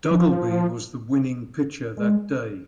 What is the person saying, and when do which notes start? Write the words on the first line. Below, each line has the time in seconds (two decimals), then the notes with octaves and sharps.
Duggleby was the winning pitcher that day.
0.11 F3
1.97 G#3